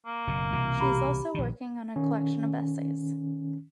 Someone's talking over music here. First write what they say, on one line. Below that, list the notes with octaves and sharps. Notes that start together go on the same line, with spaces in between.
She is also working on a collection of essays.
A#3
F#1 B2
C2 B2 E3
G4 A#5 B5
A#1 D#3
D#3 C#4